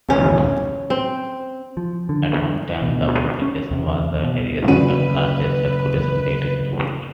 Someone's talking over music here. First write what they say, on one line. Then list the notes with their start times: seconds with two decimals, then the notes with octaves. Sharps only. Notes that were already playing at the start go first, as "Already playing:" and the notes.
At one time the publication was the area's second largest circulating daily newspaper.
0.10 C#4
0.90 C4
1.77 F3
2.09 D3
2.82 D2 B2
3.42 C#4
3.71 E2 C3
4.23 B2
4.68 F#1 C#4 F#4 B4 D5 D#7